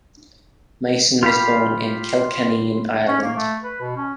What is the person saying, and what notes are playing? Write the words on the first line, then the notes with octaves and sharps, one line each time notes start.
Mason was born in Kilkenny in Ireland.
F4 G4 F5 B5
C#4
A#3
A3
B4
B2
C#4